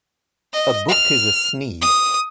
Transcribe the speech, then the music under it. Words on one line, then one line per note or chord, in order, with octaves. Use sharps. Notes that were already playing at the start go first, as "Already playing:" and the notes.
A book is a sneeze.
D#5
F6
D#6